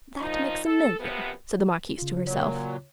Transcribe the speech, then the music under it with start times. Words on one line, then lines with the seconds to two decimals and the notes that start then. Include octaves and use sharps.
"That makes a million," said the marquise to herself.
0.21 A#2 F3 D#4
0.65 A4
1.00 F#2 C3 F3 B3
1.98 C#3 F4
2.27 A#2 F#3 C#5